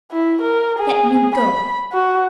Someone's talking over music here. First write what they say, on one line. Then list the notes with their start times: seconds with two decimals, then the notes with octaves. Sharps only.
"Let me go."
0.12 E4
0.42 A#4
0.79 G#4
1.36 B5
1.92 F#4